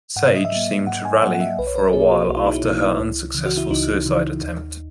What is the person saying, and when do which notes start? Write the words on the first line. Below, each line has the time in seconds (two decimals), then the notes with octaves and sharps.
Sage seemed to rally for a while after her unsuccessful suicide attempt.
0.16 G#2 F#5
0.25 E5
0.35 D#5
0.45 E5
0.52 F#3 A#3
0.87 G#2 F#5
1.05 G#5
1.22 F#3 A#3 F#5
1.34 F#5
1.40 E5
1.59 B1 B4
1.67 C#5
1.75 B4
1.93 B2 A#3 G#4
2.11 F#4
2.28 B1 F#4
2.37 E4
2.46 D#4
2.54 E4
2.64 B2 A#3
3.00 C#2
3.35 C#3 E3
3.46 F#4
3.57 E4
3.70 C#2 D#4
4.06 C#3 E3
4.42 D#2